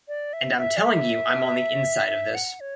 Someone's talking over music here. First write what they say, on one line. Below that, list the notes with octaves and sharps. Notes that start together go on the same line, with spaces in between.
And I'm telling you I'm on the inside of this.
D5
E5
E5
D5
E5
F#5
C#5